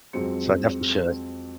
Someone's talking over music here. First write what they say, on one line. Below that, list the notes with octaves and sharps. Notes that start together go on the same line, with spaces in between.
So, I definitely should.
F2 F#3 G#3 C4 C#7